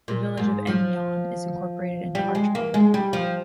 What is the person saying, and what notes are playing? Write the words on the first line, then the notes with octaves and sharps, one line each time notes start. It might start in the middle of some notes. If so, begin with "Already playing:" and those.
The village of Eynon is incorporated into Archbald.
A#2
G#2
F3
G3
G#3
A#3
G#3
G3
F3